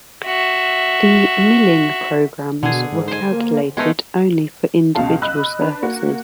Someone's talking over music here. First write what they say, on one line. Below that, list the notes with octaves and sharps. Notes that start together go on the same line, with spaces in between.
The milling programs were calculated only for individual surfaces.
F#4 E5
B2 D3 G#4
G#2
C5 G#5
A#3
G#3 A3 B3 D#4
C#2 B2 F5 A5
D#5 B5 E6 F#6
D4 B4
A#3 F#4